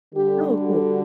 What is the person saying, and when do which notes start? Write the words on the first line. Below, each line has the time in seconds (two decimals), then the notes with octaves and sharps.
Oh, cool.
0.14 D3 G3 G4
0.59 F#4